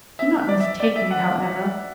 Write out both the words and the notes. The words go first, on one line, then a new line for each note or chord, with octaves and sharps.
Do not mistake me, however.
E5
D5
E5
D5
E5
F#5